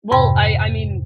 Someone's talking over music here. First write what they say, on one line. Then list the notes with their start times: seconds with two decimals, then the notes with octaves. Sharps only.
Well, I I mean
0.11 F2 G#2 C3 G5 B5